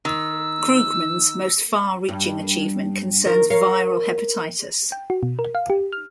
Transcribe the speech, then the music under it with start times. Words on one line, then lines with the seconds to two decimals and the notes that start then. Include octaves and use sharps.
Krugman's most far-reaching achievement concerns viral hepatitis.
0.05 D#3 E6
2.09 G2
3.25 D#3 A#4
3.50 A#4 C#5 F5
4.92 G5
5.10 F#4
5.23 B2
5.39 A#4
5.55 F5
5.70 G4
5.92 F6